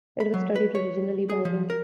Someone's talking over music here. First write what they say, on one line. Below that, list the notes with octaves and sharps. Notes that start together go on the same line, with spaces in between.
It was studied originally by him.
B5
F#3
B4
C#5
G#4
F3
A#4